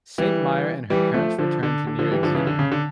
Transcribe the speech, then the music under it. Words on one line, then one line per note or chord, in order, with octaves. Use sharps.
Santmyer and her parents returned to near Xenia.
E3 G3
E3 G3
F3 A3
D3 F3
D3
D3
D3 F3
E3 G3
D3 F3
C#3 E3
D3
C#3
D3